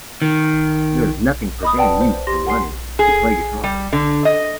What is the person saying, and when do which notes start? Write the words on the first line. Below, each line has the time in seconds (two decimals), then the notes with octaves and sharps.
There's nothing preventing you from learning to play the guitar.
0.22 D#3
1.63 D#5 B5 D#6
1.77 B4 D5 F#5 G5 A5
2.01 C5
2.27 G4 C6 A#6
2.47 F#5 G#5 C6 C7
2.99 G#4
3.64 G3
3.93 D3
4.25 D#5